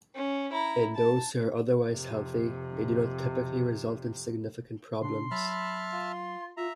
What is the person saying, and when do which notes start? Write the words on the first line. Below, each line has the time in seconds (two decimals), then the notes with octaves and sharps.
In those who are otherwise healthy they do not typically result in significant problems.
0.14 C#4
0.52 E4 A#5
0.95 A5
1.89 F2 C3
5.02 C#3 D4 C6
5.31 F#3 E5 A5 B5 F6
5.93 F4
6.57 F4 E5 A#5